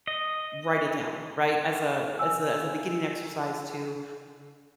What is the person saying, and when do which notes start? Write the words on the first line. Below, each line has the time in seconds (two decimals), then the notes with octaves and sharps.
Write it down," right? As a as a as a beginning exercise to
0.07 D#5
2.19 G#5 E6